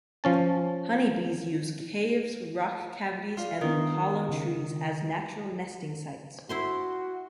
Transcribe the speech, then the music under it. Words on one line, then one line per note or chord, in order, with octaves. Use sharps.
Honey bees use caves, rock cavities and hollow trees as natural nesting sites.
F3 C#4 A5
F4 D5 F5
D#3 B3 D4 A#4
C#3 D#4
E4 F#4 C5 C6